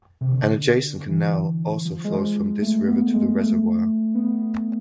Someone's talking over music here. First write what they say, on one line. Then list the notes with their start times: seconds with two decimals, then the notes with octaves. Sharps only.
An adjacent canal also flows from this river to the reservoir.
0.21 C3
0.32 D3
1.09 E3
1.85 F3
2.04 G#3
2.10 F3
2.36 G#3
2.62 A3
2.87 B3
3.08 A3
3.13 G#3
3.39 A3
4.15 B3